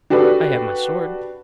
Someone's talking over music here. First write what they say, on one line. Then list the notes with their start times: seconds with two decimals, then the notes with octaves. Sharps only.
"I have my sword."
0.10 D4 F#4 G4 A4 B4 D5